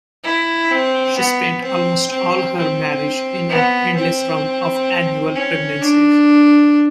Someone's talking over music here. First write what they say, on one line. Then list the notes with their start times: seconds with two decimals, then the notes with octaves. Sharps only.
She spent almost all her marriage in an endless round of annual pregnancies.
0.24 E4
0.71 C4
1.17 B3
1.63 C4
2.10 C4
2.57 C4
3.49 B3
3.95 C4
5.36 C#4
5.82 D4